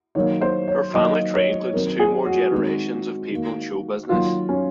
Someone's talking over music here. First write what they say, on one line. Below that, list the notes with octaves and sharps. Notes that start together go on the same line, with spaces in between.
Her family tree includes two more generations of people in show business.
D#3 F#3 A#3 C#5
C5
C#5
D#3 F#3 A#3 D#5
C#5
D#3 F#3 C4 A#4
G#4
F#4
D#3 G#3 C4
D#3 A#3
D#3 F#3 A#3 F4
C#4